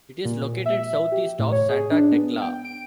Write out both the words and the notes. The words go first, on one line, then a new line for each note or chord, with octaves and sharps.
It is located southeast of Santa Tecla.
A#2
E5
G4
A2
C#5
G#4
D4
B3
G5
D7